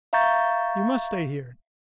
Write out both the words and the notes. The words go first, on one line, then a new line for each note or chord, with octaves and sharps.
You must stay here.
E5 F5 A#5 C#6 G6 A6